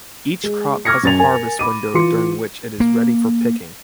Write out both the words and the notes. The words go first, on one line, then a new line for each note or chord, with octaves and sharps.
Each crop has a harvest window during which it is ready for picking.
G#3
C#6 D6 F6 G#6 A#6 C#7
F#2 A6 F7
A#4 G#5
B5 D6 D#7
E3 F4 C6 D6 C#7
A#3